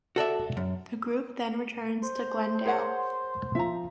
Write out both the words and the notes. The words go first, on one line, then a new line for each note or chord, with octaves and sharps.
The group then returns to Glendale.
F#4 A4 D5 E5
F#2
C5
G#4 A#4 C#5 F#5
F3 E5 A#5